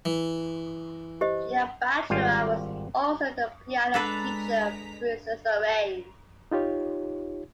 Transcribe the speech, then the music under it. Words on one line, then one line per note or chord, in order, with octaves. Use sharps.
Gina Bachauer was also the piano teacher of Princess Irene.
E3
G4 C5 D#5
G#1 G3 F4 F5
G#3 D4 A4 B4 A#5 B6
D#4 F4 G4 C#5